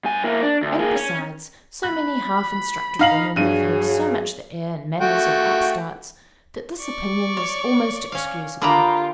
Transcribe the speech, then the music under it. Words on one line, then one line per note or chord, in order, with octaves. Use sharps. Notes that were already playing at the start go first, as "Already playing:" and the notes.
And besides, so many half-instructed women have had so much the air and manners of upstarts, that this opinion is almost excusable.
G2 G#5
A#3 E4
D4
D2
A#3 G#4
C#4
B5 F#6
D#4 F5 F#7
G2 F#3 G#4 D#7
A3 F#4 G5
D5 C#6
C#5
C#4 F5
D3 A#3 F4 G4 A#5 B5 D#6